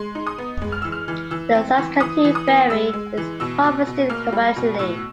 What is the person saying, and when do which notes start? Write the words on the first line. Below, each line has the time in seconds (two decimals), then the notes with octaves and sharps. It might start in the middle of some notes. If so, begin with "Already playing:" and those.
The saskatoon berry is harvested commercially.
Already playing: G#3 C6
0.15 D#4
0.27 D#6
0.38 B3
0.62 G#3
0.72 F6
0.82 E3 E6
0.92 F6
1.08 E3
1.31 E3 E6
1.55 C4
1.78 E3
2.00 E3 D#6
2.24 E3
2.35 D#6
2.47 B3
2.70 G#3 E6
2.93 G#3
3.17 E3
3.40 B2 E6
3.64 B2
3.87 B2
4.10 A#3 F6
4.32 G3
4.56 B2
4.79 A2 E6